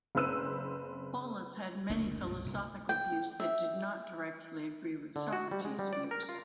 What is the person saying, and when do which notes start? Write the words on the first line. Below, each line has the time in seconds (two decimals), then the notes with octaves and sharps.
Polus had many philosophical views that did not directly agree with Socrates views.
0.15 F#1 C4 B4 E6 D#7
1.89 F#1 D2 A#3 D4
2.27 C2 G2 B2
2.46 C2
2.89 G5
3.40 E5
5.16 D3
5.33 F#4
5.51 G3
5.65 G#3
5.79 G3
5.93 D5
6.11 A#4
6.29 F4